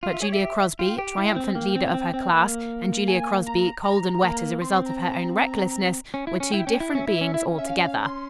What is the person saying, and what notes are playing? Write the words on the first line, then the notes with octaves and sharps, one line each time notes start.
But Julia Crosby, triumphant leader of her class, and Julia Crosby cold and wet as a result of her own recklessness, were two different beings altogether.
F4 F5
E5
G#4 C#5
G4 E5
F4 G5
G4
E4
C4
A#3
C4
C4
C4
A#3
G#5
A#5
A#5
A#3
C4 C6
A#5
A#5
A#5
C#4
E4
C#4
E4 G5
C#4
E4
C#4 E5
E4
C#4
E4
C#4
E5
F5
C6